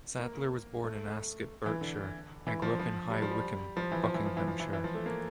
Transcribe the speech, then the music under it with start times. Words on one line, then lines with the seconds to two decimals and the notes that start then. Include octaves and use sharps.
Sadler was born in Ascot, Berkshire, and grew up in High Wycombe, Buckinghamshire.
0.19 A#3
0.84 A3
1.66 E3
1.81 D3
2.47 E3
2.62 F3
2.79 F3
3.11 G3
3.22 F3
3.31 G3
3.77 F3
3.92 E3
4.03 F3
4.14 E3
4.26 F3
4.37 E3
4.48 F3
4.60 E3
4.73 E3
4.84 F3
4.95 A3
5.06 A#3